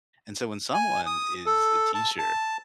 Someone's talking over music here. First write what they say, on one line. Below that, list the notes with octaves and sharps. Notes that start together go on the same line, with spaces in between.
and so, when someone is a teacher,
G#5
D#6
A4
A5
A5